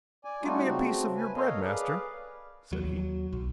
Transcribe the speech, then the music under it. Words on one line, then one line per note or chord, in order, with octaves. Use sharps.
"Give me a piece of your bread, master," said he.
D5 G#5
G3 A3 D#4 F4 F#4
C#3 A3 C4 F#4
B4 G#5
A4 A#4 C#5 D#5 F5
G#4 B4 D5 F5
D#2 F#3
B1